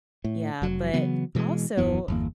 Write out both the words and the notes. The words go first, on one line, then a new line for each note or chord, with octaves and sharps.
yeah. But also
A2
F1 F#3
C#3 E3 F#3 B3
B2 E3 F#3 G#3
D#1 F#2 E3 B3
G1 E2 A#3